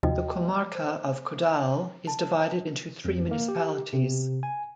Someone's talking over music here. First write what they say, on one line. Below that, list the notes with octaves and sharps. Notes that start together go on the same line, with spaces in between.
The comarca of Caudal is divided into three municipalities.
D#2 C3 F3 F#4 D#5 G5
C5
A5
F2
A#3
G4
C3
G#5